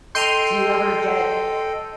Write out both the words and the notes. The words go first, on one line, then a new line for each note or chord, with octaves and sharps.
Do you ever get,
A4 D#5 G5 C6 G6 D#7 F7